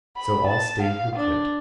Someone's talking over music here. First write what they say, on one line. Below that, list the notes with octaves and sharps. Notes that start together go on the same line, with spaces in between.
So all stayed who could.
B5
A5
F5
D4